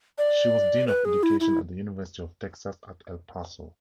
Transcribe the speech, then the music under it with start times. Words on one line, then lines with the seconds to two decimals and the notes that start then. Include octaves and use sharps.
She was dean of education at the University of Texas at El Paso.
0.18 D5
0.87 B4
1.05 G#4
1.23 E4
1.40 E4